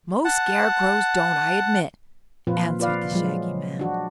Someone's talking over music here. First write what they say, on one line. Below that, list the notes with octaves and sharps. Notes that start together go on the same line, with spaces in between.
"Most scarecrows don't, I admit," answered the Shaggy Man.
F#5 A5
A#2 F3 C4 F4 B4
F4 B4 D5 F5
F3 F#3 G#3 F4
D4 F#4